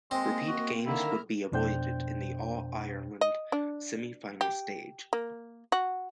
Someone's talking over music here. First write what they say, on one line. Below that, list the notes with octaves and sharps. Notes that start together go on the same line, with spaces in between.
Repeat games would be avoided in the All-Ireland semi-final stage.
G#3 A#3 C4 D#5
F#4
D3 D#3 A#3 E4 A#4 A#5 F6
F2 B2 D4 C5 G5 G6
D#5
D4
G4
A#3
F#4